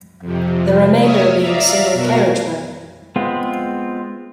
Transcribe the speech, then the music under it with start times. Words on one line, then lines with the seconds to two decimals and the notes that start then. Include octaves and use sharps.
The remainder being single carriageway.
0.21 F2 C3
0.99 C#5 E5 D#6 F6
1.39 D5 E5 F5 A#5
1.93 B2 F#4 A#4
3.16 G#3 B3 C4 F4